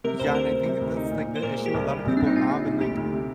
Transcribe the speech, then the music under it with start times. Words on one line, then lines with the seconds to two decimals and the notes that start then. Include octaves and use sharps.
Yeah, and I think that's, like, the issue a lot of people have and, like,
0.04 C3 A#4
0.19 D2 C5
0.35 C3 A#4
0.51 C3
0.65 C3
0.81 D2
0.97 D#4
1.11 A#2
1.27 A#2
1.35 C5
1.42 A#2 A#4
1.58 G#3
1.66 G4
1.74 C2
1.89 G3
2.04 A#1 C4
2.17 G3 D4
2.26 D#4
2.36 A#1 F4
2.50 G3
2.66 A#1
2.81 D2 G4
2.97 D2
3.13 C3